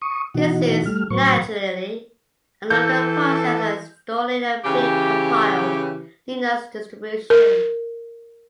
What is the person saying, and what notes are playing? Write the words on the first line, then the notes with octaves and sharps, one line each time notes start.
This is, naturally, a longer process than installing a pre-compiled Linux distribution.
C#6 D#6
B2 E3 D#4 F#4
G3 A3 F6
A2 F#3 C5 C#6
E3 A4 G6
C#3 E3 G4
A#4